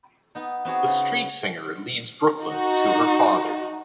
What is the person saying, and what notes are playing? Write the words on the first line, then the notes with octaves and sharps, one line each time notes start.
The Streetsinger leads Brooklyn to her father.
B3 D#4
B3 C4 F#4 G#4
C#3
D#4 F#4